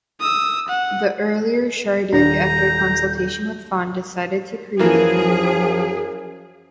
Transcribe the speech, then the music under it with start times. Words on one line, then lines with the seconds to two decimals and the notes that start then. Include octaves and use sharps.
The earlier Shardik, after consultation with Fawn, decided to create Pendor.
0.20 D#6 E6
0.68 F#5
2.13 D#1 D4 D5 A#5 G6
4.79 F#2 E3 F3 A#3 G#4